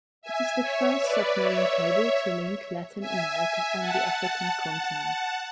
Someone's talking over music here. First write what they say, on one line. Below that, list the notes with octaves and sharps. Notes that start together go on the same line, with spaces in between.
It is the first submarine cable to link Latin America and the African continent.
E5 G#5
C#5 E5
B4 D5
C#5 E5
E5 G#5
F#5 A5
F#5 A5